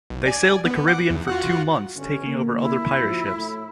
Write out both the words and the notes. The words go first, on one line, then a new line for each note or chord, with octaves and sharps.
They sailed the Caribbean for two months, taking over other pirate ships.
B1
D5 G#5
B3
F#5 D6
E2
F4 F#4 F#5
G1 C#4
D3 A#3
E4
F3 F4 F#4
A2